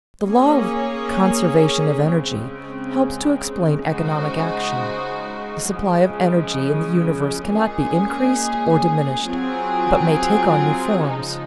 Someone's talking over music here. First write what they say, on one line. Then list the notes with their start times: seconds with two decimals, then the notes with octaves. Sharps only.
The law of "conservation of energy" helps to explain economic action; the supply of energy in the universe cannot be increased or diminished, but may take on new forms.
0.24 A#3 C#4 G#4 C#5
2.04 C#3 G#3 C4
3.84 C#3 G#3 D#4 F#4 C5
5.65 C#3 F3 G#3
7.44 A#2 G#3 C#4 G#4
9.25 F#3 C4 F4 G#4
11.04 C#3 F3 G#3 D#4